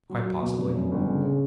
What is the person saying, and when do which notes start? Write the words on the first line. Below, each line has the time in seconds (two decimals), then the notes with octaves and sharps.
"Quite possibly."
0.10 F#3
0.26 F#3
0.42 B2
0.58 F1
0.74 F#2
0.92 G1
1.07 C#3
1.24 C#3